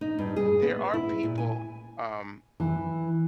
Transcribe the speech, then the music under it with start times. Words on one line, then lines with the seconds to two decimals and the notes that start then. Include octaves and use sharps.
there are people, um,
0.01 D#4
0.19 G2
0.36 G#4
0.62 B3
0.94 E4
1.23 A#2
1.38 G#5
2.60 E3